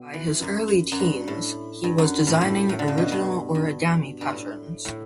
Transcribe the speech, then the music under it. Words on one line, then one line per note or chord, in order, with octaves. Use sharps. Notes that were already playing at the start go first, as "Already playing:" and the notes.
By his early teens, he was designing original origami patterns.
Already playing: B2
E3
F#2
F#2
G2
A2
G2
F#2
A2
A2
A2
D3
C#3
B2
G2
G2
G2
A2
A2